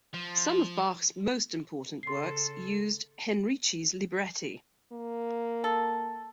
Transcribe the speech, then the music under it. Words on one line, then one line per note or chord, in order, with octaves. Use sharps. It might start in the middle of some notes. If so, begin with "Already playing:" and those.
Some of Bach's most important works used Henrici's libretti.
F3
C#3 A4 C6 C7
A#3
A4